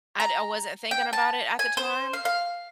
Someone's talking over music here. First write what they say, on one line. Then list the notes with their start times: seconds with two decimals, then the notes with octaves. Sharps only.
I'd I wasn't thinking about it at the time.
0.20 A#5
0.91 G5
1.13 A5
1.59 G#5
1.77 C5
2.13 F5
2.25 F5